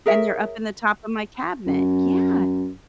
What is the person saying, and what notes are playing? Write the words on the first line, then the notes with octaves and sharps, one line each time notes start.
and they're up in the top of my cabinet, yeah
G#4 A#4 C#5 E5
F#2